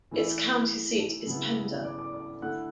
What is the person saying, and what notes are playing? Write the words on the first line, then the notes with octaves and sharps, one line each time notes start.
Its county seat is Pender.
E3 A3 E4
C#3 F#3 B3 E4
D5 D6
D5 D6
D5 D6
D3 A3 E4 F#5 F#6